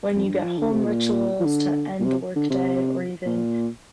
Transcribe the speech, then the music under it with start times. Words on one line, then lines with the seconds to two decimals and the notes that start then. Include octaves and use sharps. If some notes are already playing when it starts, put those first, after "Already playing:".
when-you-get-home rituals to end the workday or even
0.16 F2
0.25 G2
0.43 F3
0.58 D3
0.72 C3
0.86 A#2
1.40 F3
1.45 D3
2.00 A#2
2.05 C3
2.35 D3
2.50 C3
3.25 A#2